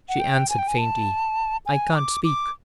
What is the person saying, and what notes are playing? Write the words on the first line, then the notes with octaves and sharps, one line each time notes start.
She answered faintly: "I can't speak!"
F#5
G5
G#5
G5
G#5
A5
G#5
D6
D6